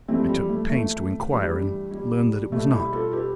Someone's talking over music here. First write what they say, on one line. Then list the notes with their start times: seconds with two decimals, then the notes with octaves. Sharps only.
I took pains to enquire, and learned that it was not.
0.08 F2 E3 G3 A3 C4
0.29 G3
0.49 A3
0.70 A3
1.30 G2 E3 G3
1.91 G3
2.52 B2 G3 A3
2.72 E4 G4
2.93 F4 A4
3.13 G4 B4